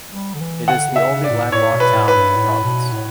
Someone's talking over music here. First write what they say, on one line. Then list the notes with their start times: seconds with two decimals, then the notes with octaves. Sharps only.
It is the only landlocked town of the province.
0.11 G3
0.34 D3
0.40 E3
0.68 D3 F#5
0.89 C#3
0.96 E5
1.10 C#3
1.24 D5
1.31 A2
1.52 A2 C#5
1.73 B2
1.80 B4
1.94 A2
2.08 B4
2.15 G2
2.36 A2
2.64 B2
2.92 A2